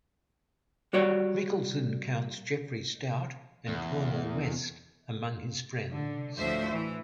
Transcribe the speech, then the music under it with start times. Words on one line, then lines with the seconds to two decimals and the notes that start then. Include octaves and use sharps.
Michalson counts Jeffrey Stout and Cornel West among his friends.
0.93 G3 F#4 C#5 D5
3.68 E2
5.91 D3
6.37 D2 A2 F3 F#4 C5 E5
6.72 E3